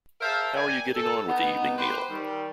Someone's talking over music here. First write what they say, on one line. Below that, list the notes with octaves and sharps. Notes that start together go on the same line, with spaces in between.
How are you getting on with the evening meal?
G#4 A#4 C5 E5 F5 A5
A#4 D5 G5 G#5
A4
B3 D#4
G4 B4 C5
D#3 G3